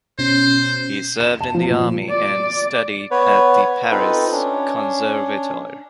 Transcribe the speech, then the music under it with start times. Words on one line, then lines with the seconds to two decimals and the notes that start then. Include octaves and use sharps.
He served in the army and studied at the Paris Conservatoire.
0.19 B2 C#4 C5
1.20 E7
1.41 A5
1.55 F3
1.70 A#2
2.09 D5
3.11 B3 B4 C#5
3.91 C4 D#4 F4 A4 B4
4.32 C#4 D4